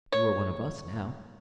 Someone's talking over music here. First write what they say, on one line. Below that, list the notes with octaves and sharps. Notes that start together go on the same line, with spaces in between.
You are one of us now.
C#5